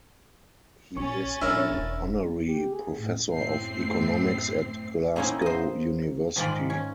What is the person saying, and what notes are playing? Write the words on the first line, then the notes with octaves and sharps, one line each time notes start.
He is an honorary Professor of economics at Glasgow University.
A#1 C#4 C#6 A6
A#1 D4 E4 A#4
E1
G4
G#4
A2
F#2 A2 C4 C7
A#3 C4 C#4 D#4 E4
C5 D#5
G#2 D#3 G#3 F4 D5 B5
C#4